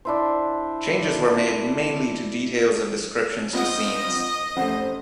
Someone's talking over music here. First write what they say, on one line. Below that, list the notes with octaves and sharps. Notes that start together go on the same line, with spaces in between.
Changes were made mainly to details of descriptions to scenes.
D4 E4 C5
B3 C4 F4 D#5 D#6
F1 A3 C#4 C5